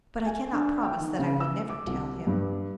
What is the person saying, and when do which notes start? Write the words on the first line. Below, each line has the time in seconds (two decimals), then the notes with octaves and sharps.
"But I cannot promise that I will never tell him."
0.26 G#5
0.53 D4
0.83 G5
0.99 D#3
1.19 C#3
1.40 E6
1.70 D6
1.87 C2
2.27 G2